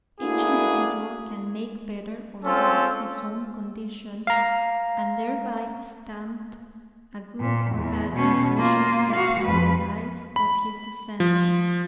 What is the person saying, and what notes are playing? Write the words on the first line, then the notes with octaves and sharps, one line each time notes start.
Each individual can make better or worse his own condition and thereby stamp a good or bad impression upon the lives of his descendants.
A3 A#3 D4 E4 F#4 G#4
C4 C#4 F4 A4
F5 A#5
A#2
E2
B2 C#4
A#3 F4
F#4 F5
F2 B4
B5
F3